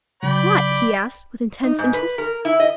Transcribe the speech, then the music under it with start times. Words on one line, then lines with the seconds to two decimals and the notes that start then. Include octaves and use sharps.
"What?" he asked, with intense interest.
0.23 C#3 F#3 D5 G5 B5
1.63 D#4
1.79 G#2
1.93 B4
2.18 A#4
2.45 E4
2.60 D#5